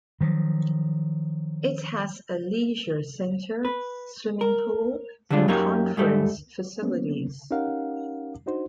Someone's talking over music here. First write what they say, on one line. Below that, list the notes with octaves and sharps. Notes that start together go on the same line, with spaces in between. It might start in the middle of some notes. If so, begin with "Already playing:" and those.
It has a leisure centre, swimming pool and conference facilities.
D#3 F3 F#3
B4
A#4
D3 G3 G#3 D4 F4
F#2 A#3 D#4 G4 C#5 A#5
G#2 G3 A3
F#3 A#3 B3 C#4
C#4 D#4 G4 A#4 F5 F#5
D4 D#4 F#4 C5